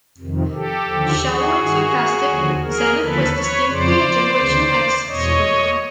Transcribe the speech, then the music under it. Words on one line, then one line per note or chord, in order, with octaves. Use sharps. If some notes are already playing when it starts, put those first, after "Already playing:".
Shallow and sarcastic, Zenith was a distinctly Generation X superhero.
F2 C3 D#3
G4 A4
D#2 D3 F3
F#4 G#4
G2 D#3
D#2 D3 F3
G#4 A#4
D#2 D3 F3 A4 B4
B4 C#5
F2 C#3 F3 C5 D5
D2 C#3 E3
E2 B2 C#5 D#5